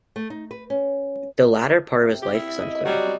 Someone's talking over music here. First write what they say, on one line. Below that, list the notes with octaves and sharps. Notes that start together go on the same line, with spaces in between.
The latter part of his life is unclear.
A3
D#4
B4
C#4
C3
G4
E4
D#5
F#3 G3 F#4